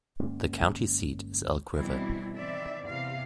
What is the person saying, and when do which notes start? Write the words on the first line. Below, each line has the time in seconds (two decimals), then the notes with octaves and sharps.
The county seat is Elk River.
0.20 G1 G#3 A#3 C#4
1.76 B2 E3 G3 C4 D4 E4
2.35 D#3 E3 C4 D5 E5
2.84 E2 C3 F5